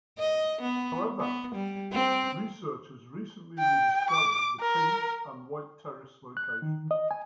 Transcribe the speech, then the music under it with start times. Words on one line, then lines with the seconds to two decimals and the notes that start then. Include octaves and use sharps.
However, researchers recently rediscovered the Pink and White Terrace locations.
0.18 D#5
0.62 B3
1.20 B3
1.55 G3
1.92 C4
3.59 G5
4.11 D6
4.61 A#4
6.37 F#6
6.62 D#3
6.91 D#5
7.11 G#5